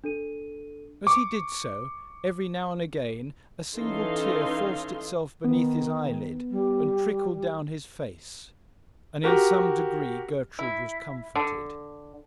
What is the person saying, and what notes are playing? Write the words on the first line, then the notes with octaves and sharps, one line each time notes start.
As he did so, every now and again a single tear forced itself beneath his eyelid and trickled down his face, and in some degree Gertrude was comforted.
D4 A4 D#7
C#6 D6
E3 C#4 D#4 A4 F5 C6
D#3 B3
G3
F#4 G4 A#4
E4
D3